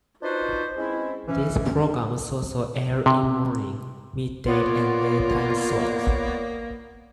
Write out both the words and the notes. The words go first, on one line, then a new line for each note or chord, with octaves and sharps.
These programs also air in morning, midday and late time slots.
D4 D#4 F4 F#4 B4 C5
G#3 C4 C#4 E4
E3 C#4
C3
A#3 B3 F4 C#5 D5